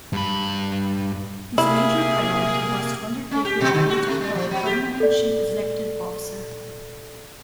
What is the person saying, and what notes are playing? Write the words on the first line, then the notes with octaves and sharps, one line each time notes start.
His major priority was to undertake the recruitment of a permanent chief executive officer.
G2 B5
C3 A#3 E4 G#4 E5
C#4
G4
B2
D3
F#4
A3
G3
F3
F#3
G4
A4 D5